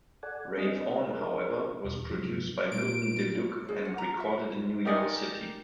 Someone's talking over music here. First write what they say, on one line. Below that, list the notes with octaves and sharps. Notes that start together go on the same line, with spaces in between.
"Rave On", however, was produced by Milton DeLugg and recorded in New York City.
A4 D5 F#5 G#5
C4 D4 G#4 D#5
D4 G#4 A#4
E2 B2
G2 C3 F3 F#3 G#3
A#2 D7
G#4
F#5
A#5
E5
D#4 G4 A#4 D5 D#5 G#5